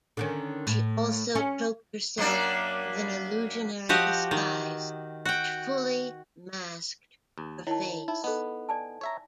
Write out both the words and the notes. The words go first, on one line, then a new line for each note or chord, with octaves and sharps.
She also cloaked herself with an illusionary disguise which fully masked her face.
D3 D#3 C#4
A2
C#4
F#2 A#3 D4
F3 F#4 G4 D#5
D#3
F#4 G5
D#2
D#3 E4 C#5 A5
D#4 E4
B3 A4 B4 D#5
D5 G#5 A5
C#5 E5 A#5